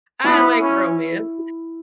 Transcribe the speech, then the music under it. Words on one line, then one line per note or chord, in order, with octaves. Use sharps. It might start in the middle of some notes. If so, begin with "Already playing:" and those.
I like romance.
B3 E4
C#4